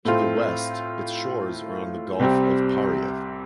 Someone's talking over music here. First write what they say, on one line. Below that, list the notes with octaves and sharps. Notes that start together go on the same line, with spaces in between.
To the west its shores are on the Gulf of Paria.
A2 A3 C4 F4
C2 C3 G3 C4 G4